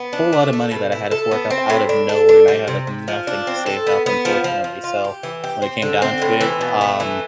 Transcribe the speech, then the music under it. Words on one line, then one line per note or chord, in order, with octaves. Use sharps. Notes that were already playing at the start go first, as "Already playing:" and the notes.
whole lotta money that I had to fork up out of nowhere, and I had, like, nothing to saved up, unfortunately so, when it came down to it, um,
Already playing: B3
D4
A3
A3
B2
E4
A4
B3
C4
A2
D4
A4
D4
G3
C3
C3
F3
D4
C4
A4
B3
B3
F3
F3
F3
F4
G4
E3
G4
C4
D3
C4
A2
E3
B2
A3
E3